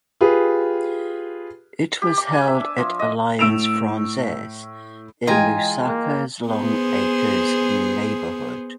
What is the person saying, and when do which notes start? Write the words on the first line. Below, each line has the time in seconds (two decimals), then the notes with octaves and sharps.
It was held at Alliance Francaise in Lusaka's Longacres neighborhood.
0.21 F4 G4 G#4 B4
2.02 G4
2.18 D6
2.33 G#5
2.48 E5
2.60 D4
2.78 F3
2.99 D#5
3.39 A2 E6 D7 E7 F7
5.27 E3 G#3 F4 D#5 G5 G#5 A#5 G#6
5.88 A#3
6.48 B3 G#4 C5